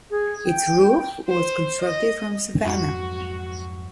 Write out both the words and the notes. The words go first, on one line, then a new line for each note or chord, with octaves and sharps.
Its roof was constructed from savanna.
G#4
G5
C5
D#5
F2 G#2 F#3 F#4